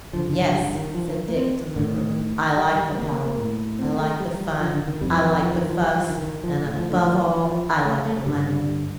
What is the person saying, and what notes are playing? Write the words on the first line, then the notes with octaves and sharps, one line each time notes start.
'Yes,' said Dick, deliberately, 'I like the power; I like the fun; I like the fuss; and above all I like the money.
G2 D3 F3
F3
G3
D#3
F3
D#3
A#3
C4
A2 D3
D#3
G3
G3
A#3
A#3
A#3
A2
C4
A3
G3
F3
D3
D#3
F2 C3 G3
F3
D#3
F3
D#3
F3
G3
F3
D#3
D#3
F3
A2
F3
D3
D#3
F3
A3
A3
G2 D3 G3